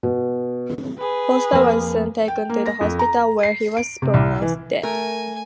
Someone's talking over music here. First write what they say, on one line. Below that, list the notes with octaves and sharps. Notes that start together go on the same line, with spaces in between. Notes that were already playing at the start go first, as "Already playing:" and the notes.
Foster was soon taken to the hospital where he was pronounced dead.
B2
G#4 B4
F2 A#3
G5
A#3
A#6
F2
A#5
C7
D7
C3
C2
E3
A3 A#4 G#5